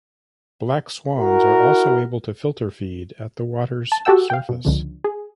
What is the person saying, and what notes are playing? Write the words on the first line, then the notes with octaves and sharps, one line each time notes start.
Black swans are also able to filter feed at the water's surface.
E4 F#4 A#4
A5
F#4 G4 A4 F#5 G5 E6
F5 G5
B2
C#2 D3 F3
G#4